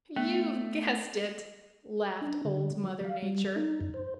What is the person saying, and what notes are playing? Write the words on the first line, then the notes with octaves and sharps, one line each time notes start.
"You've guessed it," laughed Old Mother Nature.
A3 B3
D4
D3
F#3
F5
G3
D#4
F#2
C5